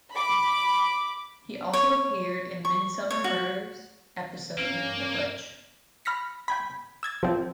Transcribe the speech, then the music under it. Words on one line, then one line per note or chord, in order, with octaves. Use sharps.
He also appeared in the "Midsomer Murders" episode "The Glitch".
B5 D6
C#5
C#6
C#5
F#4
G2 A#3 C#4
B5 F6 A#6 B6 C#7
G5 G#5 B5
E6 G#6 A6
F3 C4